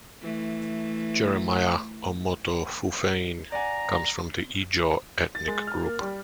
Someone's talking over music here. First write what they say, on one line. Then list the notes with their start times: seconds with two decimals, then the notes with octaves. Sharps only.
Jeremiah Omoto Fufeyin comes from the Ijaw ethnic group.
0.22 E3 A3
3.52 D5 F#5 G#5 A#5
5.35 A6
5.48 G#3
5.67 F6
5.82 A#3
6.01 G3